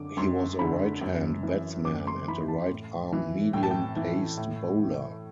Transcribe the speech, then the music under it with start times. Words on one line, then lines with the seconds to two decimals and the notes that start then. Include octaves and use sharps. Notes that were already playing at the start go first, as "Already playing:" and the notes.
He was a right-hand batsman and a right-arm medium-paced bowler.
Already playing: F#2 D3 D6
0.17 F#2 C6
0.59 D3 B5
1.01 F#2
1.43 E3
1.85 F#2 D6
2.07 C6
2.28 E3 B5
2.48 A5
2.70 A2
3.12 E3
3.53 A2 G5
3.63 A5
3.71 G5
3.96 E3
4.37 A2
4.80 E3